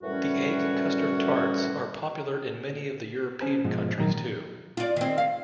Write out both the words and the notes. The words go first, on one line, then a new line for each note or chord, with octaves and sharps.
The egg custard tarts are popular in many of the European countries too.
F#2 A2 E3 G3 C#4 F#4
C#4 G#4 C5 G#5 A5 B5
G#2 B2 F3 G#3
A#2 D#3 F3 F#3 D#4 A#4
F4 D5
D#3 C4
F5